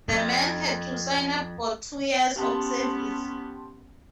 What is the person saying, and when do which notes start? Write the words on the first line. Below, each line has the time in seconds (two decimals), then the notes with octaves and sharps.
The men had to sign up for two years of service.
0.08 F2
2.36 B3 C#4 G4 A5 C6